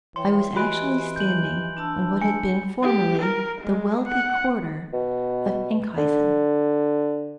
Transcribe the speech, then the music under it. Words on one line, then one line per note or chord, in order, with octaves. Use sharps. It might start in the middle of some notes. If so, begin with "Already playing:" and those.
I was actually standing on what had been formerly the wealthy quarter of Enkhuizen!
E3 C#5 E5 G5 C6
E3 F#4 G4 D#5 G#5 B5 F#6 D7
G6 F#7
D4 A5 E6
G#5 C#7
G4
A#4
G#3
F#5
B2
D3